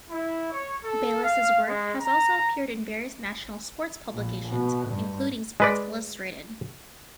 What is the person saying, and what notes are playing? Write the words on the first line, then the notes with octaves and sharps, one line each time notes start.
Bayless's work has also appeared in various national sports publications, including "Sports Illustrated".
E4
C#5
A4
F5
G#3
A#5
A#1
B2
G2
G#3 B4 D5